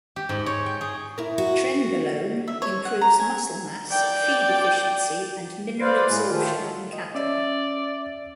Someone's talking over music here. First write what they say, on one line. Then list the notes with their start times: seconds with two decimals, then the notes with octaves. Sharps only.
Trenbolone improves muscle mass, feed efficiency, and mineral absorption in cattle.
0.16 G4
0.29 G#2
0.46 C#5
0.66 G5
0.81 G#4
1.18 E4 A#4
1.38 F#4
2.48 E5
2.62 C#5
2.85 F#5
3.01 A#5
3.20 G#5
3.91 D5 G5
5.81 B4 C5 D5 F5
6.06 A2 G#3
6.28 D#3 F3 A3 F4
6.56 F#3
6.93 D#5
7.15 C#4 D5 E5